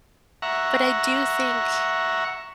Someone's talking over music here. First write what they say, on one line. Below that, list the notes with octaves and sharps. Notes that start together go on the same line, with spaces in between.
but I do think
E5 F#5 A#5 C#6